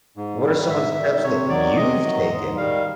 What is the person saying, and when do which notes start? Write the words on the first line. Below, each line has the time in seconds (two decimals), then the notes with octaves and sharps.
What are some of the steps that you've taken?
0.17 G#2
0.43 D#3 G3
0.69 G#2 E5
0.97 D#3 G3
1.24 C3 C#5
1.49 D#3 F#3 D5
1.76 C3 D#5
2.04 D#3 F#3
2.30 G#2
2.56 D#3 G3 F5